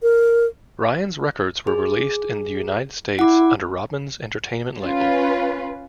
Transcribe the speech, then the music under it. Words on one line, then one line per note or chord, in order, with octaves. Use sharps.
Ryan's records were released in the United States under Robbins Entertainment label.
A#4
G#4
E4 F#5 D6
C#4 F4 B4